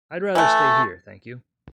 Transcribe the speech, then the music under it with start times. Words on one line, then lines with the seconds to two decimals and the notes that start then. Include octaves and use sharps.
I'd rather stay here, thank you.
0.35 E3 A3